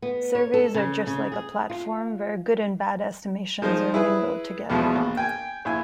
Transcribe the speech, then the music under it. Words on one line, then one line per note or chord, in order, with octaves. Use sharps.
Surveys are just like a platform where good and bad estimations are mingled together.
B3
C#5
A4
C#3
C#3
G#4
F4
F3 G#3 D#4 C5
E4 G#4 B4
E2 B2 F3 G#3
A#1
G5 G#5
A#1 E4 G#5